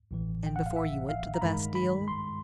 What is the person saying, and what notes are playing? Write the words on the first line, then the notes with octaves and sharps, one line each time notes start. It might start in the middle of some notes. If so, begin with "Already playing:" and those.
"And before you went to the Bastile?"
A1 A2 E3
G5
F#5
F5
E5
F5
A#5
G2 D#3 G#3 B5
B5
C6